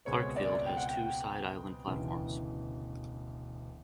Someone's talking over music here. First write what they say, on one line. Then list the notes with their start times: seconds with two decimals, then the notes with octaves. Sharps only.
Clarkefield has two side island platforms.
0.05 C#2 B2 G#3 C4 C#5
0.36 D5
0.66 G5
0.77 F#5
0.88 G5
1.86 E1 D2 C#3 E3